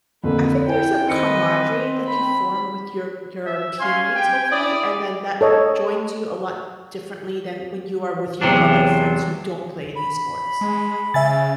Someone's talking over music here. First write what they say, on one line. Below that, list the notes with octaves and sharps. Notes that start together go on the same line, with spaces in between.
I think there's a camaraderie that you form with your your teammates, hopefully, and then that joins you a lot differently than when you are with your other friends who don't play any sports.
F2 D3 A#3 A4 B4
E4 C5 G5 G#5
D#3 C4 B4 D#5 C#7
B5
E5
C#4 F5 G#5 C6
G4 G5
E4 D5 D#6
A4 C#5 D#5
E2 C3 F#3 D4
B5
G#3
C#3 E5 G#5 A6